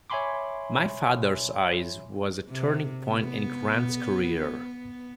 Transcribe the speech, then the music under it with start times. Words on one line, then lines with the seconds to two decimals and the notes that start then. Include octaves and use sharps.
"My Father's Eyes" was a turning point in Grant's career.
0.10 C#5 E5 G#5 B5 C6 D6
2.50 C3
3.06 B3